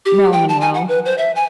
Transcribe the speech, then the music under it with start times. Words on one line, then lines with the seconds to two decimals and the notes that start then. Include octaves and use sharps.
Marilyn Monroe.
0.06 G4
0.33 G5
0.49 A5
0.61 G#5
0.74 F#5
0.88 B4
1.06 C5
1.18 E5
1.36 G#5